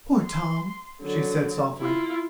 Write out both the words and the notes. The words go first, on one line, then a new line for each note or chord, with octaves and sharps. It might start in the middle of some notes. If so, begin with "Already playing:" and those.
"Poor Tom!" she said softly.
C6
D3 F#3
E4 F4